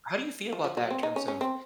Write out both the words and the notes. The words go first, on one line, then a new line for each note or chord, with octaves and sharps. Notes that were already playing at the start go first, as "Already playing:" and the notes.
how do you feel about that in terms of
F3
F3
F#3
C4
D#4
C#4
C#4
C4